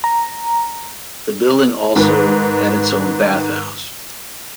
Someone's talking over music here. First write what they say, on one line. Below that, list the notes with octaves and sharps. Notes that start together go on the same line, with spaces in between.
The building also had its own bathhouse.
A#5
G#2 D#3 B4